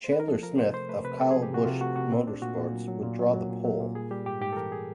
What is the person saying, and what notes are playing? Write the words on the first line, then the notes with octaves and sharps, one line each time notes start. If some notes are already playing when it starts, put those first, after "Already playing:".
Chandler Smith of Kyle Busch Motorsports would draw the pole.
C5
B4
A#4
F3 A4
F3 A#4
C3 C5
A3 C5
A3 B4
C3 B4
C3 A4
F3 G#4
G4
C3 F#4
C3 F4
A3 F#4
C3 F#4
A#2 C4
A3 D4
A#2 F#4
A#2
F#3
F#3
A#2
F#3
F#3
A#2
F#3
A#2
G3 G#4
G3 G4
G#2 G4
G#2 G4
A4
E3 A#4
G#4